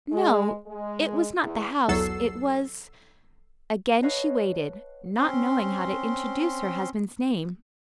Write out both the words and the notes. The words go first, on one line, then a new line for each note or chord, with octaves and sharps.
"No, it was not the house--it was--" Again she waited, not knowing how to introduce her husband's name.
G#3
G#3
E2
B1 E2 F#3 A4 E6 C7
B4 C#5 D#5 F5 F#5 A5
C4 C#4 C6